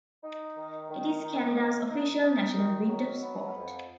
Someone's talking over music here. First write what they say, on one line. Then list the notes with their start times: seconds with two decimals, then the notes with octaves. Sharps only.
It is Canada's official national winter sport.
0.24 D#4
0.56 D#3
0.90 D#3
1.23 D#3
1.56 A#3
1.89 D#4
2.23 D#4
2.56 D#3
2.88 F#3
3.23 B3
3.56 F2